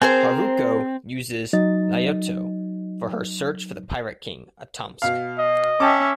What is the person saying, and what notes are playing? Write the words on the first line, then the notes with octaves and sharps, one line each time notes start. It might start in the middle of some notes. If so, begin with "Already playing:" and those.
Haruko uses Naota for her search for the Pirate King, Atomsk.
C4 G#4 A#4 C5
F#3 D#4 D#5 A6
B2 F5
D#5
C#4 E5 G5 A5 D6